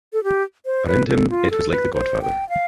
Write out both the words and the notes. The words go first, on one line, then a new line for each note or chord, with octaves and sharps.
Around him it was like "The Godfather".
A4
G4
C5
B4
A4
F4
A4
B4
C5
G5
F5